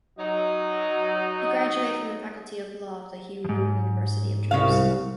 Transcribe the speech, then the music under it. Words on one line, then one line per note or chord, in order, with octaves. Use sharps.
He graduated from the Faculty of Law of the Hebrew University of Jerusalem.
F#3 D#4 D#5
F2 G#2
C2 C#3 F#4 F5